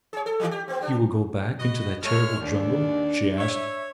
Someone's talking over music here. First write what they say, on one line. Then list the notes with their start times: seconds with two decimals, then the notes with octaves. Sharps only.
"You will go back into that terrible jungle?" she asked.
0.13 G#4 C#5
0.26 A4
0.40 D#3 F3 G3
0.51 G4
0.68 B3 C4
0.80 G3 D4
1.60 F#4 B4 D#5
2.04 G#3 A3 C#5 F6
2.40 D#2 D4
3.38 C#5 E5